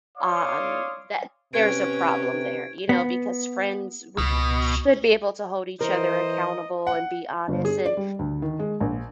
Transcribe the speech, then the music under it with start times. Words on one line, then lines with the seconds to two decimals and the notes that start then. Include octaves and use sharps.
um, that there's a problem there, you know, because friends we should be able to hold each other accountable and be honest, and
0.18 C#5 D5 F5 C6 D6 D#6
1.53 C3 C#4 B4 G#6 D7
2.89 B3
4.18 C#2 B2
5.81 E3 A#4 C5 D#5
6.87 F#5
7.48 G1
7.65 G#4
7.86 D5
7.97 G3
8.19 D2
8.42 D#3
8.59 G#3
8.80 A#1